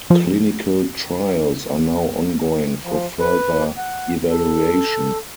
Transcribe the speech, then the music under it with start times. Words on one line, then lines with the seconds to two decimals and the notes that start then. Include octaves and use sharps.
Clinical trials are now ongoing for further evaluation.
0.10 F3
2.84 F3
3.20 B4
3.77 F#5
4.30 A4